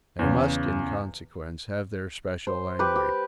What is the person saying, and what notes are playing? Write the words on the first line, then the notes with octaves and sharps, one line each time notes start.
They must, in consequence, have their special language.
E2 C#3
C5
G4 B4
G4